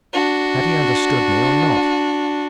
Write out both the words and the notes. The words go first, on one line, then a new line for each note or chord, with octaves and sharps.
Had he understood me or not?
D4 F#4